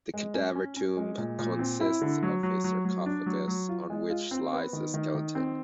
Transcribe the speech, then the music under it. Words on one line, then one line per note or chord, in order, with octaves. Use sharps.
The cadaver tomb consists of a sarcophagus on which lies a skeleton.
G#3
C#4
C#4
C#4
G#3
A#2
A#2
C4
E4
D3
F#3
F#3
F#3
F#3
D4
F#3
F#3
F4
G#3
F4
C4
B3
D#3
D#3
D#3
C4